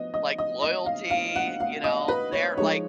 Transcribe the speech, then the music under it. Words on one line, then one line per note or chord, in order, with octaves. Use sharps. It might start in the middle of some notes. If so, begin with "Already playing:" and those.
like, loyalty, you know, they're, like,
Already playing: F3 B3 D#5
D#5
D#5
D#5
F5
F5
F#5
F5
D#5
B4
C#5
F3 G#3 D#4 C#5